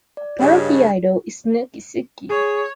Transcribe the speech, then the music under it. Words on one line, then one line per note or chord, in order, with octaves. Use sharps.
A part of iaido is "nukitsuke".
D5
G2 C#3 C#5 D#5
G#4 C#5